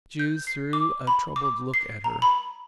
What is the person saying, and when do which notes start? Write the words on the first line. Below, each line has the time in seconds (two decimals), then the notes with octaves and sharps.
Jude threw a troubled look at her.
0.19 G6
0.47 C7
0.73 D6
1.07 B5
1.36 D6
1.74 C7
2.04 A#5
2.22 B5